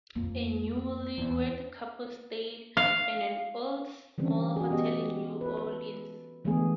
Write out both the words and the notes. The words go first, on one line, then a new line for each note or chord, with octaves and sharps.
A newlywed couple stay at an old small hotel in New Orleans.
F2 A#3
E2
F5
D3 E3 G3 C4 C#4
F#4 G#4
B3 G4 D#5
A4 B4
D3 E3 G#3 A3 B3 G#4